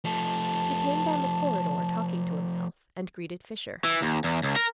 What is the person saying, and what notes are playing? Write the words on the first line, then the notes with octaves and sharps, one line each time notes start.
He came down the corridor talking to himself, and greeted Fisher.
F3 A3 A5
E3
D#2
E2
C#2
A#4